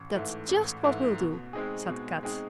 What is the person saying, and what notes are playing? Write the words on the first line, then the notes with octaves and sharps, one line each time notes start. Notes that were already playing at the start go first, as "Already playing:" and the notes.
"That's just what we'll do," said Kat.
Already playing: A1
G#2 E3 A3
A1
G#2 E3 A3
B2
G#3 C4 D#4 G#4
B2
G#3 C4 D#4 G#4